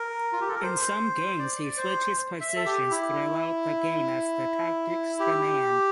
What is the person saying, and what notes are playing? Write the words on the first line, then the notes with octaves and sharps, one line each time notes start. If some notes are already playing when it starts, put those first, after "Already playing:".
In some games he switches positions throughout the game as the tactics demand.
Already playing: A#4
F4
G4
A4
A#4
C5
D5
C5
E5
A4
G4
E4
G4